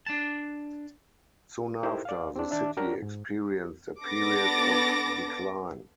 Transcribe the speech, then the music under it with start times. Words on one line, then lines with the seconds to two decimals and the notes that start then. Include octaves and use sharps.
Soon after, the city experienced a period of decline.
0.06 D4 A5
1.83 D#4 E4 G4 A4 A#4 C5
2.05 D5 F5
2.36 C4 D4
2.51 D#3 D4 E5
2.77 C#4 D4 F#4 G4 A#4 D5
3.02 G#2
4.05 B3 D4 A4 D6 A6 A#6